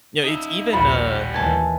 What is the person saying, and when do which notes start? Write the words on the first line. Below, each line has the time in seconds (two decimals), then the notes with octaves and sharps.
you know, it's even, uh
0.24 D#4 E5
0.73 A#1 D#2 G3 F4 F#4 B5
1.34 D#2 E3 G#5 A5